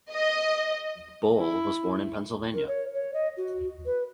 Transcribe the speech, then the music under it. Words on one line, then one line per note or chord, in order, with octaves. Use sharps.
Boal was born in Pennsylvania.
D#5
E4
A#4
C#5
C#5
D#5
F#4
B4